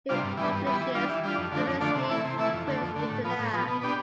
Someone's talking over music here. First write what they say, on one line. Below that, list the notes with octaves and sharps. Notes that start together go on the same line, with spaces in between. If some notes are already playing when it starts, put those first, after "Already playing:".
It publishes "Kommunisty Kyrgyzstana".
C3 G3 D4 F4
G2
E3 G3 B3
G2
E3 G3 B3
E3
G3 D4 F4
E3
G3 D4 F4
F2
D3 F3 A3 D4
F2
D3 F3 A3 D4
C3
E3 A3 E4
C3
E3 A3 E4
F2
D3 A3
F2
D3 A3
A2
F3 B3
A2
F3 B3
B2
B3 D4 G4